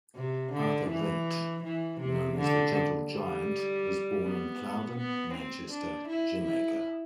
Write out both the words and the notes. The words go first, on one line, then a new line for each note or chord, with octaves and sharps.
Arthur Wint, known as the "Gentle Giant", was born in Plowden, Manchester, Jamaica.
C3
D3
E3
E3
C3
D3
G3
B3
B3
C4
D4
E4
E4